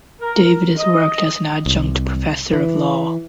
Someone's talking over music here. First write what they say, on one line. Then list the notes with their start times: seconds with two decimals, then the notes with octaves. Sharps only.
David has worked as an Adjunct Professor of Law.
0.21 A#4
0.78 D#5
1.66 C2
2.53 E3